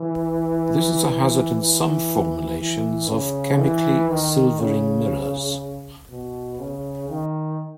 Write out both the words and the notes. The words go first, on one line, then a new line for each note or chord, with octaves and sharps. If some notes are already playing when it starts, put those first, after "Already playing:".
This is a hazard in some formulations of chemically silvering mirrors.
Already playing: E3
E3
E3
E3
C#3
E3
D#3
C#3
B2
C#3
D#3